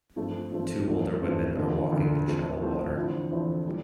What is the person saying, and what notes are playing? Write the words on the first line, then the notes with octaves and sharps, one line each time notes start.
Two older women are walking in shallow water.
G2 F3 A3 C4
G2 F3 A3 C4
A1 G2 F3 A3 C4
A1 G2 F3 A3 C4
E1 D2 D3 F3
E1 D2 D3 F3
A2 F3 A3 C4
A2 F3 A3 C4
E2 D3 F3 C4 E4
E2 D3 F3 C4 E4
A2 E3 G3